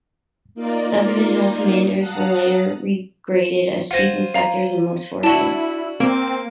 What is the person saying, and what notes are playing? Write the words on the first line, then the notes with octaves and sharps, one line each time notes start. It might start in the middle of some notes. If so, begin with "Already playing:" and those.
Sub-divisional commanders were later regraded as Chief Inspectors in most forces.
A#3 D#4 F4 A#4 D5
F5 F#5 A5 A#5 D#6 F#6
F4 C5 F#5 G#5 A#6
F5 A#5
D4 E4 F#4 A5
A#3 C4